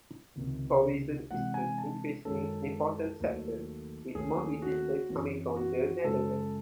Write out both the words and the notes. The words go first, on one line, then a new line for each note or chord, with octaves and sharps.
Tourism is an increasingly important sector, with most visitors coming from the Netherlands.
C#2 C3 D#3
C3 E3 G#3 F#5
G#5
A5
F#2 D#3 G#3 C#4 A4
D#2 D#3 F#3 A3
D#2 D#3 A3 C#4 G#4
F#4
F#2 E3 C4
F#4
F#2 C#3 G#3 A4